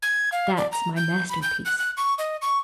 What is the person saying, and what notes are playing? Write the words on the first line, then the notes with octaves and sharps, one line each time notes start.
That's my masterpiece.
G#6
F5
D5
A#5
G6
B5
G6
F#6
F#6
C#6
D#5
C#6